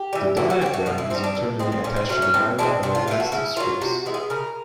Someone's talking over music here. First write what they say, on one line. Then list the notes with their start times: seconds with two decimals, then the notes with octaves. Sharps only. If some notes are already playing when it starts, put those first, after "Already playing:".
The diaphragm is internally attached to the barrel by elastic strips.
Already playing: G4
0.13 E3 G3
0.37 E3 F#4
0.50 F#4
0.61 A3 C4 G4
0.74 F#4
0.86 B2 F4
0.98 E4
1.10 G3 C4 D#4
1.24 D4
1.35 E3
1.59 G#3 B3 C4
1.72 C4
1.84 A#2 C#4
1.96 C4
2.09 F#3 A3 C#4
2.22 C#4
2.34 A2 C4
2.59 E3 G#3 C4 D4
2.83 C3 D4
2.95 F4
3.07 E3 A3 F4
3.20 F#4
3.32 C#3 E4
3.56 F#3 A#3 F4
3.82 C3 F#4
4.06 E3 G#3 B3
4.14 G#4
4.30 C#3 A#4